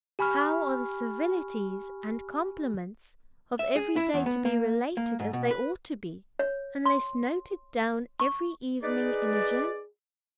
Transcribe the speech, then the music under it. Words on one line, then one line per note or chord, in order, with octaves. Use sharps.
How are the civilities and compliments of every day to be related as they ought to be, unless noted down every evening in a journal?
G4 G#5 B5 C#6 F6
E5
G#4
E4
E2
B3
A#3
A#3
G#2
B2
B4
C#5
C6
C#6
D#4 G#4 B4 D5